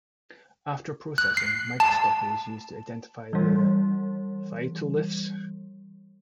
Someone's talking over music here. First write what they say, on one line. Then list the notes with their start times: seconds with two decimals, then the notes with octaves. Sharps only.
After processing, microscopy is used to identify the phytoliths.
1.18 F#6
1.37 C7
1.80 A5
3.33 E3 G3